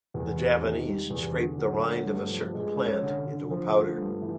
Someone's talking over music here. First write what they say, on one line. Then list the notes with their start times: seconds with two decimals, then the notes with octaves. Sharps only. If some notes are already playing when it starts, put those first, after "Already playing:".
The Javanese scrape the rind of a certain plant into a powder.
0.14 E2
0.38 C3
0.62 D#3
0.86 G3
1.10 E2
1.34 D3
1.58 F#3
1.83 A3
2.06 G2
2.30 F3
2.54 G#3
2.78 C#4
3.02 D3
3.27 D3
3.50 F3
3.75 A3
3.98 G2
4.22 E3